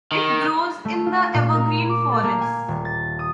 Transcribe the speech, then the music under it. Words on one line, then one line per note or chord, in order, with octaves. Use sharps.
It grows in the evergreen forests.
D#3
A3
F4
A#2
A#4
D6
A4
A#3
G#5
D#1
A6
D#6